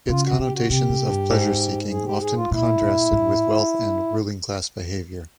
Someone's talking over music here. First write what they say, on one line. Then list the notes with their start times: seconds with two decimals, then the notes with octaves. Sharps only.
Its connotations of pleasure-seeking often contrasted with wealth and ruling class behavior.
0.09 C#3 F4
0.24 F#4
0.39 C#3 G4
0.54 F#4
0.70 C3 G4
0.90 C3
1.09 G2
1.30 G#2
1.91 G#4
2.06 G4
2.21 G#4
2.36 F4
2.51 A#2 E4
2.81 A#2
3.13 A2